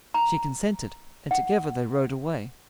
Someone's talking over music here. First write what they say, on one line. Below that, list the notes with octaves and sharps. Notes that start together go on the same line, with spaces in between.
She consented, and together they rode away.
A#5
F#5